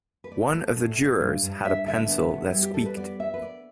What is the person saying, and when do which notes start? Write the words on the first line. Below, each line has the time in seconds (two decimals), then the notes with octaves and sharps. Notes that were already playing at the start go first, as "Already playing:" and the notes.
One of the jurors had a pencil that squeaked.
0.24 B4
0.31 A3 D5
0.54 A3
0.76 A2
0.98 A2
1.20 G2
1.42 G2
1.65 G2 E5
1.86 D3 E5
2.08 B3
2.31 B3
2.50 G3 E4
2.62 G4
2.74 G3 A4
2.86 B4
2.97 B3 D5
3.19 B3 E5
3.34 B4
3.42 B3 D5